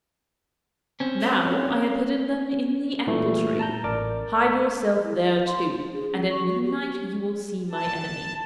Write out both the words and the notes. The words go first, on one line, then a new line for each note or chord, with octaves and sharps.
Now I have hidden them in the apple-tree; hide yourself there too, and at midnight you will see my enemy.'
C4 C#4
C#5
A#2 E3 G3 A3
A5 A#5 G6
A1 A#4 D5 D6 A6
E4
F4
C6
D4
G#4
C#4
C#6
F#4
G4
G4
A5